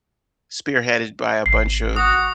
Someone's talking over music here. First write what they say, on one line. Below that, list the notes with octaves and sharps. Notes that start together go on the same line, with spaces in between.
spearheaded by a bunch of
G#1 C7
F#4 D#6